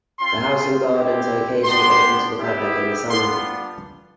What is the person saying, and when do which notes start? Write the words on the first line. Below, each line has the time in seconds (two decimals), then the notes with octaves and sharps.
The house and gardens are occasionally open to the public in the summer.
0.19 C4 F4 C6
0.92 C4 E4 G4
1.64 B3 D4 G4 C6
2.37 B3 E4 G4
3.09 G3 B3 D4 F4 C6